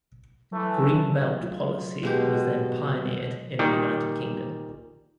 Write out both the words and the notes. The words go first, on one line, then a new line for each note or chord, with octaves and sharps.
Green belt policy was then pioneered in the United Kingdom.
E3 F#3 A3
F#3 A3 F4
B2 G#3 G4
A#2 D#3 G3